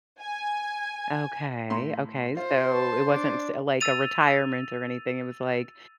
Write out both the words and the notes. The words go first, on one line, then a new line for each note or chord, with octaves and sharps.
Okay, okay, so it wasn't s like, a retirement or anything? It was like,
G#5
A2 A#5 C6
F4 C5
A5
D4 D5
E6 A6 D#7 F7